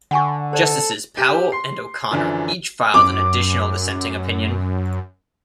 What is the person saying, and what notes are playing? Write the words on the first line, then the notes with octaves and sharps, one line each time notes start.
Justices Powell and O'Connor each filed an additional dissenting opinion.
D3 F#5 G#5 C#6
A4 C5 D5
G4
C6 C7
F#2 D3 E3 F3
F#2 D6